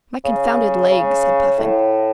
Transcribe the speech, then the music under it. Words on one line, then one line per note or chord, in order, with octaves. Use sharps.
"My confounded leg!" said Puffin.
C#3
C#3
A2